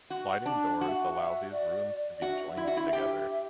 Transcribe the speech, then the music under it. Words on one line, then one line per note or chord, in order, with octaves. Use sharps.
Sliding doors allow these rooms to be joined together.
F#4 F#5
D4
F#4 F#5
E5
F#5
E5
D5
D5
F#4 E5
E5
E4
D5
F#4 E5
E4
G4 E5